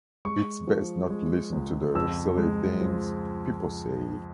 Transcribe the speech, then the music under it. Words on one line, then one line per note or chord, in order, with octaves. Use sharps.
It’s best not to listen to the silly things people say.
G#3 C#6
F3
G#3
C#2
F2 E6
G#3
F3